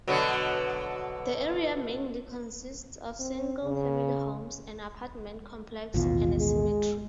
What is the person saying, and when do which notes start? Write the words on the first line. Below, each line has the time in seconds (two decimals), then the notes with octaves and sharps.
The area mainly consists of single-family homes, an apartment complex, and a cemetery.
0.08 B2 D3 F#3
3.20 C4
3.64 C#3
5.94 A1 D#2 B2 F4
6.37 G#3